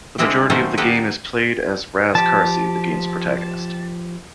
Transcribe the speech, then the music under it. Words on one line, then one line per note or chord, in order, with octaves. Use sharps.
The majority of the game is played as Raz Karcy, the games protagonist.
D3 G3 G#3 C4 E4 G4
D#3 F#3 A3 C#4 C5
A#3 B3 G4 A4 B4
F3 G4 A5